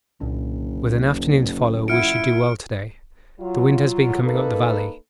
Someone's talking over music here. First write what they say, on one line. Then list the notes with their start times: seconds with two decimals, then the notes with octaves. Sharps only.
With an afternoon to follow we should do well to-day; the wind has been coming up the valley.
0.20 F#1 C2 A#2 D3
1.88 E4 F4 F#5 F6 C#7 D7
3.39 F#3 F4
4.23 A#3 D#4 A4 B4